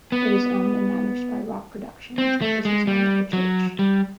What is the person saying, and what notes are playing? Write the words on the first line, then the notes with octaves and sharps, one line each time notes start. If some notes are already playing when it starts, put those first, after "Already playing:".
It is owned and managed by Rock Productions, the business arm of the church.
B3
C4
A3
G#3
G3
F#3
G3